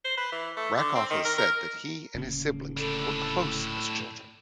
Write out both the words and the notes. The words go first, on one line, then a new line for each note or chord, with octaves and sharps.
Rakoff has said that he and his siblings were close as children.
C5
B4
E3
A3
D3
C4
D#3
A#4
A#4
D1 C#3 A#3
A2 D4 A4 B5